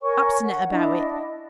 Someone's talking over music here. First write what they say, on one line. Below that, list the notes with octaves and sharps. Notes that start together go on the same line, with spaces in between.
Obstinate about it.
A#4 C#5 G#5 C#6
F#5
D4 E4 D#5